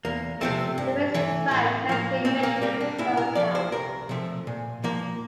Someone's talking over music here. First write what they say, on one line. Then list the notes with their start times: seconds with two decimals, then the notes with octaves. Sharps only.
The Riggs Bank has been mentioned in some accounts.
0.05 E2 A#3
0.41 C3 F3 A3 C4
0.78 G2
1.14 E3 A3
1.51 A2
1.89 F3 A#3
2.25 A#2 C4
2.43 A#3
2.62 G3 A#3 C4
2.81 D4
2.98 A#2 E4
3.17 A#4
3.35 F3 A3 D5
3.55 C5
3.72 C2 A#4
4.09 C3 F3 A3
4.47 A#2
4.84 F3 A#3